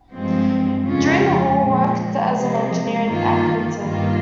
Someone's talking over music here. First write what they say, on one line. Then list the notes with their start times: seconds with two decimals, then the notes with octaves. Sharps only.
During the war, worked as an engineer in Accrington.
0.11 G2 F3 G#3 C4
0.84 F2 C#3 G#3 C#4 F4
1.58 A#2 F3 G#3
2.32 C3 F3 G#3
3.05 G2 D#3 A#3 F4
3.79 G2 D#3 A#3 F4